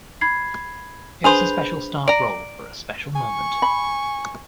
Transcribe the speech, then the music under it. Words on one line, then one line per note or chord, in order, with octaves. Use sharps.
It was a special staff roll for a special moment.
B5 G#6 C7
D4 G#4 B4 C5 B5 F7
D5 A#5 D7
G#5 C#6
B5